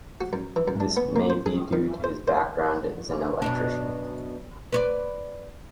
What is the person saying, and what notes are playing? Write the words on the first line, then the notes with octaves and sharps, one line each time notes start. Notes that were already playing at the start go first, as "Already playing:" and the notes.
This may be due to his background as an electrician.
F#4
F#2
E3
F#2
D4
B3
A#3
C5
G#4
D#3
C5
C5
F#2 B2 D4
B4 C#5 D5